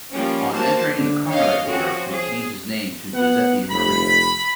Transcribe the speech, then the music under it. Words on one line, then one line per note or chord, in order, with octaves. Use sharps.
On entering the Carmelite Order he changed his name to Giuseppe Maria.
F3 G3 A#3 C#4
A#3 F#4 C5 A5
D3
C#5 D#5 F5 D#6 F6
F3 C4 C#4 F#4
G#4
B3 F#5
F1 B5